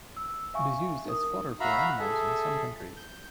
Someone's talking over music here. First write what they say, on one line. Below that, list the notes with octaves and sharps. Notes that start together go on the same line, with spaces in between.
It is used as fodder for animals in some countries.
E6
E5 F5 G#5 C#6
D#4 A#4 D#6
F#4 E5 F5 A#5 B5
G#4 A4 E5
G6